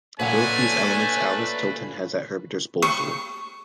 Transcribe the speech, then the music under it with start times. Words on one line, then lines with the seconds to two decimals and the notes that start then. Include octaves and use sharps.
Both these elements Alice Tilton has at her disposal.
0.20 A#2 A3 D4 B4 C#5 F#5 G#5
2.82 C#6